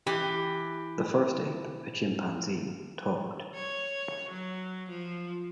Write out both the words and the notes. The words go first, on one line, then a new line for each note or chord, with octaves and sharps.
The first ape, a chimpanzee, talked.
E3 G4
C#5
F#3
F3